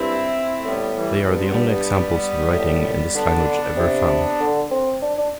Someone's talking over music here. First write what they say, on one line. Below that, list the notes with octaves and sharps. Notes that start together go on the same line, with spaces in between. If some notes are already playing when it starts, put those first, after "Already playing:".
They are the only examples of writing in this language ever found.
Already playing: G2 C4 E4
A3
A2 G3 B3
E3 G3
G2 G3 B3
C4
G3 B3
G3 B3
A2
D3 B3 D4
C3
D3
C4
D4
D4